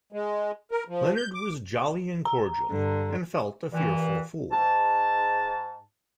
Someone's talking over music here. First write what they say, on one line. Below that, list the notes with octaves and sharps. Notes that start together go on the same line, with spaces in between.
Leonard was jolly and cordial, and felt a fearful fool.
G#3
A#4
F3
G6
D6
A#5
G2 D3
G2 A#2 E3
G#2 A5